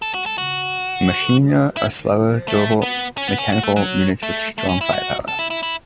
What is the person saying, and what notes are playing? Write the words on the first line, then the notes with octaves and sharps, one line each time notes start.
Machina are slower, durable mechanical units with strong firepower.
A4
F#4
A4
F#4
E4
A3
B3
C#4
B3
C#4
F#4
A3
F#3
A3
A3
C#4
E4
F#4
A4
E4
E4
E4